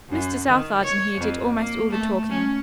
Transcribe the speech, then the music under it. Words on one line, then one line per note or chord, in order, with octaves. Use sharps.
Mr. Southard and he did almost all the talking.
F#2
D#3
C#5
F2
A#3
A3
C#4